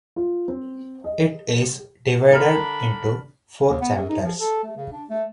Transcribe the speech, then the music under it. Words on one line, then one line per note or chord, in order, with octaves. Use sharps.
It is divided into four chapters.
F4
C4
D#5
D3 D4 A#4 B5 F6
D#2
B3
F#2
D#4
F3
A4
A3
C#3
D4
A3